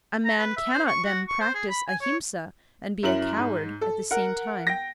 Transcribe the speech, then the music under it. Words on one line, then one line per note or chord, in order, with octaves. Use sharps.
A man cannot then practice Ahimsa and be a coward at the same time.
A#5
B4
E5
C5
C#6
F#4
C#6
C5
G#4
B5
G#5
C#5
F#2 E4 F#7
G#2
A4
A#4 F#5
G5 A#6